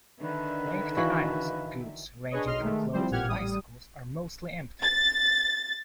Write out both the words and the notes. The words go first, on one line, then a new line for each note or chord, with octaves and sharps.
Lengthy aisles of goods ranging from clothes to bicycles are mostly empty.
D3 D#3 B4 E5
E3 F#4 D#5 F5 C#6
D4 G#4 B4 C#5 D#5
B1 D#5 C6 F6
D#3 G#3 A3
E3 F3 G3 C4 C5
A1 A#2 G4 F#5 F6 G#6
A1 G3 D#6
A6